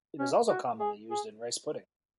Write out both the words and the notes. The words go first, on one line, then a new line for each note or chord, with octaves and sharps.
It is also commonly used in rice pudding.
C#4
F#4
G#4
G#4